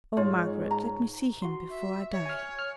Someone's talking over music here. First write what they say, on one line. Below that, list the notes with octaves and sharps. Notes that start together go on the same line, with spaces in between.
Oh, Margaret, let me see him before I die!'
G#2 F4 C#5
A#5
F#4 C6
E5
C#5
G#5 F6
F6